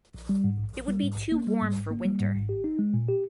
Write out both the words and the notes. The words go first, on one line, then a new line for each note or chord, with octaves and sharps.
It would be too warm for winter.
A#1
G3
G#2
A#1
A#1
G3
G#2
A#1
A#3
G3
G#2
G#1
A#3
G3
G#2
G#1
G4
D#4
G#3
A#2
G4